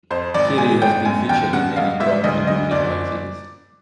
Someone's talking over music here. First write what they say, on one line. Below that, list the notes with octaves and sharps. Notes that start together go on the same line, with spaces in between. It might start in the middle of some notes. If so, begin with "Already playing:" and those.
Carey has been featured in many drum and music magazines.
F2 C5
G#1 D5
G#2 G#5
G1 G5
F#2 G#5
D#2 G5
C#3 F#5
A1 F5
G#2 E5
D2 D#5
D3 D#5
F#1 D5